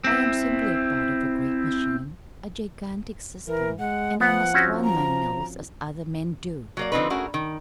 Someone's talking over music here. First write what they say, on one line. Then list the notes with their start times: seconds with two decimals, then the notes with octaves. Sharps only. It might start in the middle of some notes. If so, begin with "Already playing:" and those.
I am simply a part of a great machine--a gigantic system, and I must run my mills as other men do.
0.04 C4 E4
3.48 E3 A#4
3.79 G#3 F#5
4.20 F3 B3 F#5
4.54 C4 C#4 F#4
4.84 A#5
6.77 F#3 A#3 D5
6.92 D3 F3 C4 C#4 D#4 B4
7.10 A3 C#4 D4 F#4 G#4 A#4
7.34 D#3